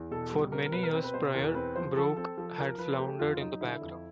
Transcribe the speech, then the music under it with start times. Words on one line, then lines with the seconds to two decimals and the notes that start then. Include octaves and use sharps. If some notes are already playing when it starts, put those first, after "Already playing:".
For many years prior, Brooke had floundered in the background.
Already playing: E2
0.11 B2 A4
0.31 G3
0.52 C4 A#4
0.66 A#4
0.72 B2 B4
0.83 A#4
0.93 C4 B4
1.04 B4
1.14 B2 C5
1.34 E2 A#4
1.55 C4 B4
1.76 F3 C5
1.96 F3 A4
2.17 C4 A4
2.37 F3 A4
2.58 F3 A#4
2.69 A#4
2.78 F3 B4
2.99 A3 G4
3.19 F2 F4
3.40 F#3 D#4
3.61 D3 E4
3.82 F2